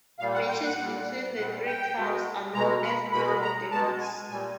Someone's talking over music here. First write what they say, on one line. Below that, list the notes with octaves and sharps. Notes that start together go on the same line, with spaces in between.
Matches between the three clubs are known as Devon derbies.
A#2 G3 F5
F#5
G5
F#5
A#2 G3
A#2 G3 F#5
G5
B2 G#3
B2 G#3 A#5
B5
B2 G#3 B5
A#5
B2 G#3 A5
G#5
A#2 G3 G#5